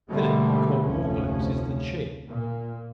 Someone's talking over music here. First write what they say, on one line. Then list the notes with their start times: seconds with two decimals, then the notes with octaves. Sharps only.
Philip had caught more glimpses than she.
0.10 G#2 B2 D3 G3 A3 A#3
0.84 F1 D2 F3 C#4
2.30 A#2